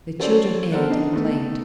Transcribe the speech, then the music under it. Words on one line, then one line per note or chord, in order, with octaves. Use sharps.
The children ate and played.
F#3 C#4 A4 C5 D5
B3 A4 A#4 C5 D5 F#5
D4 D#4 D#5
A3 B3 D#4